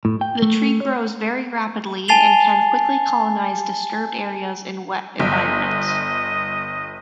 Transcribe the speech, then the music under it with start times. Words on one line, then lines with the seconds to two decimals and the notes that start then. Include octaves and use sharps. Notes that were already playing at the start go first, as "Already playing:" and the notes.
The tree grows very rapidly and can quickly colonize disturbed areas in wet environments.
0.05 A2
0.21 G5
0.42 A3
0.81 C#5
2.08 G#5 A5 A6 C7 F7 G7
5.20 G1 D#5